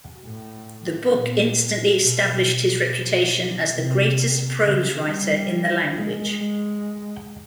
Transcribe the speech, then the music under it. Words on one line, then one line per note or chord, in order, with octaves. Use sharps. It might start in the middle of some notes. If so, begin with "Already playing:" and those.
The book instantly established his reputation as the greatest prose writer in the language.
A2
A#2
B2
B2
C3
C#3
G3
G#3
G#3